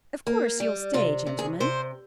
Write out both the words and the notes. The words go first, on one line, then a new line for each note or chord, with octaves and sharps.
Of course you'll stay, gentlemen?
A#3
G3
C3 F4
C3
G#4
C3 C5